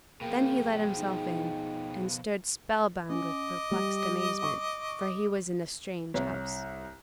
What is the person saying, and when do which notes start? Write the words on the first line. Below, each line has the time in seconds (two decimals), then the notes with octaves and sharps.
Then he let himself in, and stood spellbound with perplexed amazement,--for he was in a strange house.
0.21 B2 F3 A#3 G#4 G5
0.98 D#4
3.10 C#4 D#5 D6
3.71 G3
4.43 C#6
6.14 C2 C#5